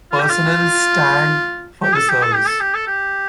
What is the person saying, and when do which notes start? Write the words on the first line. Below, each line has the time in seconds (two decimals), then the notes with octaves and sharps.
Personnel stand for the service.
0.12 F4
0.20 G4
0.30 F4
1.83 G4
1.95 A4
2.08 G4
2.22 A4
2.34 G4
2.47 A4
2.60 G4
2.74 A4
2.87 G4